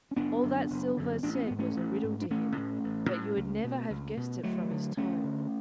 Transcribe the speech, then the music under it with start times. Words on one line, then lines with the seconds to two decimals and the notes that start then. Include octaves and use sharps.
All that Silver said was a riddle to him, but you would never have guessed it from his tone.
0.11 C#4
0.16 F#1 B3 D4
0.43 F#2 D3
0.70 F#1
0.97 F#2 D3
1.23 A1 D4
1.35 C#4
1.47 G#2 B3
1.59 A3 C#4
1.77 A1
2.04 G#2
2.22 D4
2.30 A1 A3 C#4
2.57 A2
2.84 A1
3.11 A2
3.37 C#2
3.64 B2
3.90 C#2
4.17 B2
4.43 D2 F#3 A3
4.71 D3
4.97 D2 A3 C#4
5.24 D3